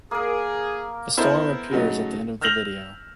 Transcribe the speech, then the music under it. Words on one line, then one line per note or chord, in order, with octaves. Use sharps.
A storm appears at the end of the video.
A#3 G#4 A#4
B3 E4 A4 A#4 C5 D#5
C#3 F#3 A3 D#4
E6 F6 G6 A#6 F7 F#7